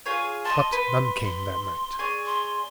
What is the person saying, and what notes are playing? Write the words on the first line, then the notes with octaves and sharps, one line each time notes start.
But none came that night.
F4 G#4 C#5
D#5 A5 C6
B4
C6
G#4 C#5 D5
C6